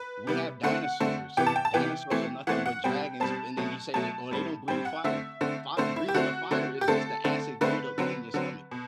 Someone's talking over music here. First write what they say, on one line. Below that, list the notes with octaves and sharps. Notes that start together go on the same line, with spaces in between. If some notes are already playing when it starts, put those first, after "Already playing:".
we have dinosaurs. Dinosaurs are nothing but dragons, and then you say, we "Oh, they don't breathe fire." Fire breathing the fire is just the acid buildup within your stomach.
Already playing: B4
C3 G3 B3
D3 A3 C4 F#5
D3 A3 C4
C3 E3 B3 G5
A5
G5
A5
C3 E3 B3 G5
E3 A3 C4
E3 A3 C4 F#5
F#5
B2 G3 C4 G5
B2 G3 C4 A5
B2 F#3 A3
B2 F#3 A3 A5
A2 G3 C4
A2 G3 C4 G5
F#5
D3 A3 C4 E5
D3 A3 C4
D3 A3 C4 C5
E4
G4
D3 A3 C4 F#4
D3 A3 C4
G4
D3 A3 C4 A4
D3 A3 C4
D3 A3 C4 B4
D3 F#3 C4
D3 F#3 C4
B2